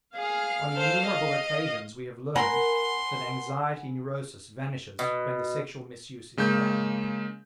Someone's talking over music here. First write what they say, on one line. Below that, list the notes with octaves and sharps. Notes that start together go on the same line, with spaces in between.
On innumerable occasions we have learned that anxiety neurosis vanishes when the sexual misuse is abandoned.
G#4 F5
A4 C5
D#5
A#4 F#5 G#5 B5 C6
B2
C#3 G#3 A#3 G6